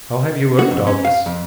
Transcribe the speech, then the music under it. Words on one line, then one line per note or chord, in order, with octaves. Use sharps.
"How have you learnt all this?"
F#4
F2
C#4
F5
F2